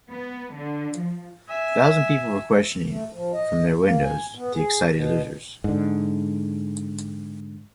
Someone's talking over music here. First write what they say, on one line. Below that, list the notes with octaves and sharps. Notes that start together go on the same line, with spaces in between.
A thousand people were questioning, from their windows, the excited losers.
B3
D3
F3
E5 G#5
A3
F3
D#5
A#3
G#5
B3
G#4
B2
G#2 D3